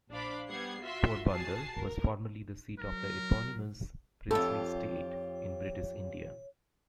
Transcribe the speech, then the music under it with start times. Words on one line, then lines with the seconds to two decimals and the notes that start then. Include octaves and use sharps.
Porbandar was formerly the seat of the eponymous princely state in British India.
0.11 A#1 D4 C5 F5 B5 D6
0.49 G3 B3 F#5 G#6 C7
0.82 F4 F#4 E5 C6
1.27 F#4 G#4 A5 A6 C7
1.75 A#4
2.79 F#3 A#4
4.31 F2 F4 G4 A4 C#5